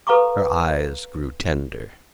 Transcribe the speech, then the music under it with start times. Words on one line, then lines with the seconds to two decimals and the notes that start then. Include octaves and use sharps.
Her eyes grew tender.
0.07 A4 B4 F5 A#5 C#6 D6